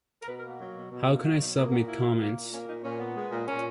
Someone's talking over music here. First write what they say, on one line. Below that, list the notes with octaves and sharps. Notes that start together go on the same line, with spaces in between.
How can I submit comments?
A#4
B2 B4
A#4
A#3 F#4
F#3
B2
B2
A#3
F#3 F#4
B2 D#4
A#3 G#4
A#2 F#4
A#3 E4
A#2
A#3
A#2
A#3 C#4
A#2 D#4
A#2 C#4
B3
G#3
A#2
A#2 C#4